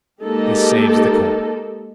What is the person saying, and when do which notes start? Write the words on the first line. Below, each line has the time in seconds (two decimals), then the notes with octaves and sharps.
This saves the corn.
0.23 G#3 A#3 D#4 G4 A4